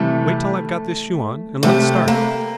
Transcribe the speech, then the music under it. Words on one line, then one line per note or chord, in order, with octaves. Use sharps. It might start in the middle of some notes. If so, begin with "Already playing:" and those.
Wait till I've got this shoe on, and let's start.
Already playing: C3 E3 G3 A3
C3 G3 A3 C4 G4
A#3